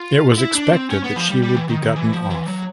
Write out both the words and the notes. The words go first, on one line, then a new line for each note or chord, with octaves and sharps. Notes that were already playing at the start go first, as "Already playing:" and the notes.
It was expected that she would be gotten off.
Already playing: F4
E4
D4
C4
C#4
B3
F3
G3
G3
E3
D#3
D#3
E3
F3
E3
F#3